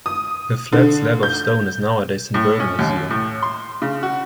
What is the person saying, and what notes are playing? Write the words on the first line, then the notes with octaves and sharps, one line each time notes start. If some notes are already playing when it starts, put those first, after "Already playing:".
The flat slab of stone is nowadays in Bergen Museum.
D#6
D3
G6
A2
C#4
D#2
A2
C6
C#3
F#4